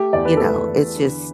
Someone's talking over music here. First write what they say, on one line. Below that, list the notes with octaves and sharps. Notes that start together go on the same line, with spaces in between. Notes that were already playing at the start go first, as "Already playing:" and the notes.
You know, it's just
Already playing: A3 G4
E2 D5
B4
A3 A4
B4
E2
D3